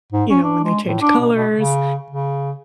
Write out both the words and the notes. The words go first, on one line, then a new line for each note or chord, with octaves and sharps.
you know, when they change colors
G#2
C#4
D4
G#3
A2
D4
B2
B2
C#3
C#3